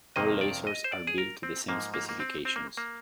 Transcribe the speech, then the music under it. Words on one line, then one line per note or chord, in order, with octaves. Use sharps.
All Lasers are built to the same specifications.
F2 C3 D#3 A#3 D#5
D5
D#5
C5
D5
G#4
A#4
C4
G#2 F3 A#3
A#3
A#3
C4
C4
A#3
A#3